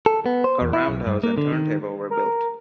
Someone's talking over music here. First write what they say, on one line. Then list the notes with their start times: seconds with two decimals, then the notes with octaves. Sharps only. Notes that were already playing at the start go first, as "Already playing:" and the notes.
A roundhouse and turntable were built.
0.06 A4
0.26 B3
0.44 C5
0.61 E2
0.73 E4
0.88 B1
1.07 G2
1.24 A#3
1.38 D3
1.52 D#3
2.11 A#4